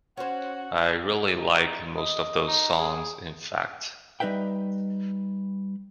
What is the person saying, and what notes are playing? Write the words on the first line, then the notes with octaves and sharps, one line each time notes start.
I really like most of those songs, in fact.
C#4 F#4 C5 F#5
D#4
D#5
D#4
G#4
G3 D#4 B4 E5 G5